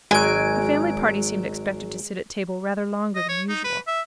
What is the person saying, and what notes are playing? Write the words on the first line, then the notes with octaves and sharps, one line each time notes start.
The family party seemed expected to sit at table rather longer than usual.
G#1 F#3 G#3 G#5 D7
D#5
C#5
D#4
B4
E5